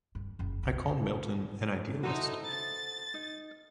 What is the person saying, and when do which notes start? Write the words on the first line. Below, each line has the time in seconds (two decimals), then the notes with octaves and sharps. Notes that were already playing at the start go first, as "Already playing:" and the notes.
I called Milton an idealist.
0.15 G2
0.39 F#1 C#3
0.63 C2
2.03 D#4 E4 F#4 A4 C5
2.48 A6
3.14 D#4